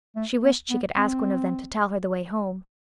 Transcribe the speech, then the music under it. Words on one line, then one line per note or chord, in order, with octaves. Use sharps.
She wished she could ask one of them to tell her the way home.
A3
B3
B3
C4